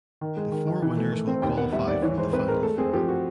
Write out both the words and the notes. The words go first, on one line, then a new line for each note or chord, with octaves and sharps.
The four winners will qualify for the Final Four.
D#3
G#3
D#3
D#3
E3
A3
A3
C4
D#2 G5
B3 F#5
G3 E5
D#2 D5
E3 C#5
G#2 C5
C4 B4
G#3 A#4
A3 A4
C4 G#4
F3 G4
F#4